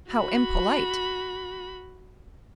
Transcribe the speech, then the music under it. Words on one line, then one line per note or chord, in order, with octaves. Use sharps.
"How impolite."
F#4 B5